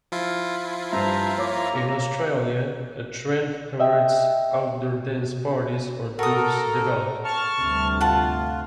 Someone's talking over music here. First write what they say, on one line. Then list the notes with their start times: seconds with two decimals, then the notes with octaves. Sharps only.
In Australia, a trend towards outdoor dance parties or doofs developed.
0.12 F3 E4 F4
0.93 G2 C5 E5 A#5
1.38 A#3 C#5 D6
3.80 D#5 E5 G5
6.19 F#4 A4 A#4 A#5 D#6
7.25 A5 C#6 F6
7.57 D2 G2 C3
8.01 F4 F#5 A5